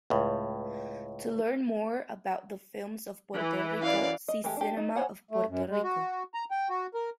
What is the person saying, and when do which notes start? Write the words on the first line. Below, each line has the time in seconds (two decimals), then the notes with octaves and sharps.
To learn more about the films of Puerto Rico, see Cinema of Puerto Rico.
0.10 C#2 A2
3.35 E3
3.82 F#2 E4 D5 F5
4.28 D#5
4.44 E3 G#3 A3 G4
4.57 D4 G4
4.77 D#4
4.95 C5 C#5 F#5 G#5
5.31 A3
5.48 F#2
5.71 G#3
5.84 F#4
6.34 A#5
6.51 G5
6.70 F#4
6.94 A#4